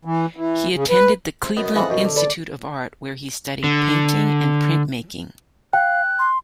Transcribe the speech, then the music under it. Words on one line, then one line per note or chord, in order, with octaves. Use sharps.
He attended the Cleveland Institute of Art, where he studied painting and printmaking.
E3
E3
C#3
B4
C5
F#2 B3 D#5
F2 E3 G#3 F#5 A5
F#2 B2
D3
A4 B4 D5
D3
F5 G5 F#6
C6